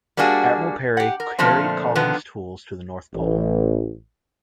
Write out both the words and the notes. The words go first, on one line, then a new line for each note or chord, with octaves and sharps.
Admiral Peary carried Collins tools to the North Pole.
G3 A#3 D4 F#4 G#4
G4 F#5
A#4
A#2 D3 F3 A3 C4
D3 D#3 F3 B3
A1